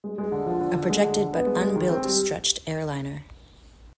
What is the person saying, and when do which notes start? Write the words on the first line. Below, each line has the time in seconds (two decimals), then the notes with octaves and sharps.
A projected but unbuilt stretched airliner.
0.04 G#3
0.18 G#3
0.32 D3
0.46 F3
0.61 D3
0.74 D3
0.90 G#3
1.04 D3
1.18 D3
1.33 B3
1.47 G#3
1.61 G#3
1.76 D#3
1.90 C4
2.04 G3